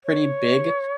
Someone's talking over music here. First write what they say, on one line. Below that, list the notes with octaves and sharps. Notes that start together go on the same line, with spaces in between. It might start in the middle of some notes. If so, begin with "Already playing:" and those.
pretty big,
C#5